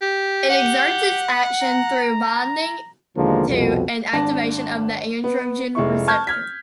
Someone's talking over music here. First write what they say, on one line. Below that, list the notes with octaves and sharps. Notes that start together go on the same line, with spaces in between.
It exerts its action through binding to and activation of the androgen receptor.
G4
G4 F#5
A#5
D#2 B2 D3 F3 G#3 A#3
C2 F2 B2
G#1 D4 A5 A#6
B3
F1 G#3 E4 C#6
A5 C#6 F6 G6 G#6
F6 G#6 B6